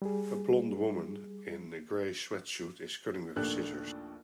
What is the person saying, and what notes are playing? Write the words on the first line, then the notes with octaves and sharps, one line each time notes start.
A blond woman in a gray sweatshirt is cutting with scissors.
G3 G#4
A#1 D#2 A3 D4 F#6